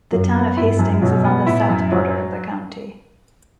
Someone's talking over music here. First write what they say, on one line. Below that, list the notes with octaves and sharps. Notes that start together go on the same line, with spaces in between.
The Town of Hastings is on the south border of the county.
F#2 F#3
B3
G2 E4
F#2
B2 F#3
B3
A2 E4
F#2
F#3